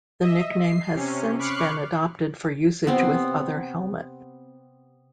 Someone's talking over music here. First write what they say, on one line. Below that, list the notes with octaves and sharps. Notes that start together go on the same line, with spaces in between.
The nickname has since been adopted for usage with other helmet.
D#5 E5
C7
C3 C#4
B5 C#6 D6 F6 F#6 C7
C3 B3 C4